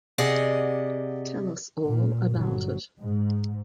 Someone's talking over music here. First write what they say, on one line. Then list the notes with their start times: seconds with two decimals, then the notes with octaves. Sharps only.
Tell us all about it.
0.18 C3 G#4 D5 D#5 F#5
1.83 A#2
2.33 G1 F#3
3.00 G#2